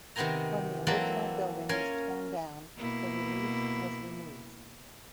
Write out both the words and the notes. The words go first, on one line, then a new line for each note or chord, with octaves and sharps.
When the original building was torn down, the relief was removed.
C3 D#3 B3 C4 G#5 A#5
E3 F#3 A#3 C4 F#4 A4
C#4 F4 A#4 C#5 G#5
B2 A#3 E4